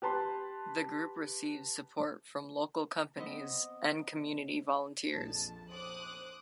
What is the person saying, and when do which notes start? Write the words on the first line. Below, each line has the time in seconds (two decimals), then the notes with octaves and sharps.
The group receives support from local companies and community volunteers.
0.02 G4 B4 A5 C6
3.16 B3 C4 B4 D#5
5.10 A#1 F2 A5
5.70 C5 D6 D#6 F#6